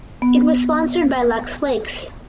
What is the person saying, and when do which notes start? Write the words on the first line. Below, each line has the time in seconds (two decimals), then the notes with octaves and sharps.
It was sponsored by Lux Flakes.
0.22 B3